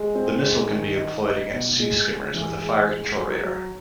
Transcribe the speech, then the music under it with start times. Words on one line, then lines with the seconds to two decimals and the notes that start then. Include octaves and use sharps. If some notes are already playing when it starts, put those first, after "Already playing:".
The missile can be employed against Sea skimmers with a fire control radar.
Already playing: G#3
0.15 C4
0.42 G#3
0.70 D#3
0.97 D#4
1.25 D#4
1.52 B2
1.80 G#3
2.07 G#3
2.34 E3
2.63 G#3
2.89 G#3
3.17 F#3
3.45 F#3